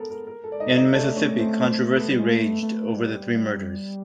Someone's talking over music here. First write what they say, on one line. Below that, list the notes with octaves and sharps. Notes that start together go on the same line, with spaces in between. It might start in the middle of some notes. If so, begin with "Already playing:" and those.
In Mississippi, controversy raged over the three murders.
Already playing: B3 A4 A#4
A#4
A#4
A4
D5
D#4 D#5
D#4 D#5
A3 D4 D5
C#4 C#5
C4 C5
C4 C5
B3 B4
G3
G#3
A3
A3
G3